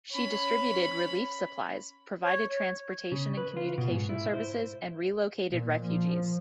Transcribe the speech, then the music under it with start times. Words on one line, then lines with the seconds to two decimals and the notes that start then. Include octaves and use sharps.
She distributed relief supplies, provided transportation and communication services and relocated refugees.
0.12 C#4 B5
2.24 C#5
3.12 C#3
3.37 B4
3.57 F4
3.78 B2
3.90 G#2
4.09 E4
4.34 C5
5.51 A#2 A#3
5.80 F3